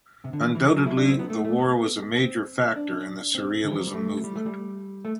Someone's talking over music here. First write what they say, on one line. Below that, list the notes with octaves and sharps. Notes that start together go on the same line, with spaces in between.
Undoubtedly, the war was a major factor in the surrealism movement.
C3
D3
E3
E3
F#3
E4
D4
C4
B3
A3
A3
B3
C4
D4
C4
D3
E3
F#3
G3
A3
G3
A3
G3
A3